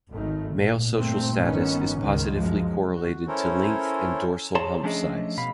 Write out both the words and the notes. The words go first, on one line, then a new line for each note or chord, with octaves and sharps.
Male social status is positively correlated to length and dorsal hump size.
G#1 D#3 A3
A#2
G1 A#2 A3 C4
G1 D#3 B3 C#4
C#2 G#2 D#3
F#2 F3 G#3
F#4
C#4 E4 A4 A#4 C5 C#5
G#4 C#5 A5 A#5 C6
F3 A3 C#4 D4 G#4 D#5
B2 F5 B5